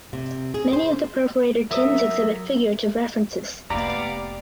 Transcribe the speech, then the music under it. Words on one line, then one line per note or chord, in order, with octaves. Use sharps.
Many of the perforated tins exhibit figurative references.
C3
G#4
C5
F#3 A#4 E5 D#6
F1 A#3 B3 G4 D5 F5 G5 A#5